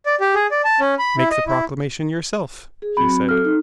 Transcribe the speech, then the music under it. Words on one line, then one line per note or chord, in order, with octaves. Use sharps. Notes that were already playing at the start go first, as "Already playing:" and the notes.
Make the proclamation yourself, he said.
D5
G4
G#4
D5
A5
C#4
B5
E4
D#5
E4
G#4
F#3 C4 F#4 B5
A4 F6
D#4